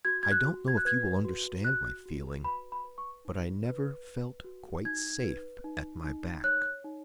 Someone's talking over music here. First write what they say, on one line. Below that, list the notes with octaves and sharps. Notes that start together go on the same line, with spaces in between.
I don't know if you will understand my feeling, but I never felt quite safe at my back.
F#4 G#6
G#6
F#6
F#4
G#6
F#6
B4 G#6
F#4
F#4 F#6
F#4
B4 B5
B5
B4
C#6
D#4
B4
B4
F#4
D#4 G#6
B4
D#4
D#4
C#5 F#6
D#4